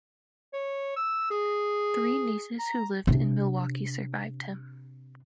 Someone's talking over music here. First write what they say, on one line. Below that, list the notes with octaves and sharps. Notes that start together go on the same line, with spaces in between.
Three nieces who lived in Milwaukee survived him.
C#5
E6
G#4
A#5
C3 D4